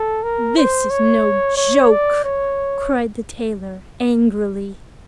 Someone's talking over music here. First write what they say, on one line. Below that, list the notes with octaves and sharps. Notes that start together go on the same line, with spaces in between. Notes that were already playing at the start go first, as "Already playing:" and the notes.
"This is no joke," cried the tailor, angrily.
Already playing: A4
A#4
C5
C#5
C#5
D5
C#5